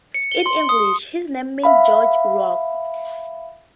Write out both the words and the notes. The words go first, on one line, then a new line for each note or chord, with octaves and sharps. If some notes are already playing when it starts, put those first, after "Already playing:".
In English, his name means George Rock.
C#7
G7
C6
D#6
E5 F5 B5